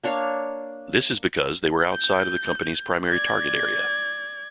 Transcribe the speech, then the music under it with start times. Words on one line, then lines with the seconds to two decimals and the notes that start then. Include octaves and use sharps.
This is because they were outside of the company's primary target area.
0.03 A#3 D4 C#5 F5
1.92 G6
3.11 D5 G#6